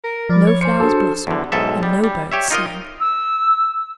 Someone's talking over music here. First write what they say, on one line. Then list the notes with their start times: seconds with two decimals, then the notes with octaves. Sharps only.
No flowers blossomed, and no birds sang.
0.04 A#4
0.29 F3 D5 B5 F6
0.47 C#5
0.61 C5 G#5 D6 F6 C#7
0.80 D4 F#4 A4
1.27 E2 D3
1.52 B1 G#2 A4 E5
1.83 G3
2.04 G3
2.32 G4 C#5 E5
2.51 D#4 F4 A#4 D#5
3.00 E6